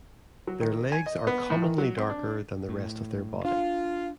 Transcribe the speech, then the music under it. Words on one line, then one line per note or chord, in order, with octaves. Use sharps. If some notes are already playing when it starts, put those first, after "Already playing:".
Their legs are commonly darker than the rest of their body.
F#3
D#3
G#5
D#5
B3
A2
D#3
F#3
C4
D4
A2
D4 F4